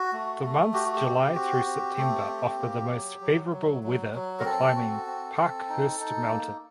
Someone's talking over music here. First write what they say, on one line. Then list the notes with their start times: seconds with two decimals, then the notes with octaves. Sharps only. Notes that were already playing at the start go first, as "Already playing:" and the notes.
The months July through September offer the most favorable weather for climbing Parkhurst Mountain.
Already playing: F#4
0.13 A3
0.44 A3
0.73 F#4 G4
0.85 F#4
0.95 G4
1.06 C4
1.36 F#4
1.66 C4
1.98 A3
2.29 C4
2.60 A#3
2.91 F#3
3.21 F#3
3.53 F#3
3.83 F#3
4.14 F#3
4.40 A#4
4.45 C4 A4
4.76 F#4
5.07 C4
5.38 C4
5.69 D#4
6.00 D#4
6.30 A#3